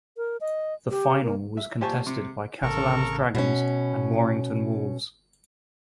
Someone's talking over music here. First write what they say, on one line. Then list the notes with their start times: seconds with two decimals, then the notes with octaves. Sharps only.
The final was contested by Catalans Dragons and Warrington Wolves.
0.17 A#4
0.41 D#5
0.90 G4
1.23 A#3
1.57 E5
1.81 A#2 G4 C5 G#5 A5 C#6
2.07 C3
2.63 A1 C#3 A4 A#4 A#5 C#6
3.35 B2 C#4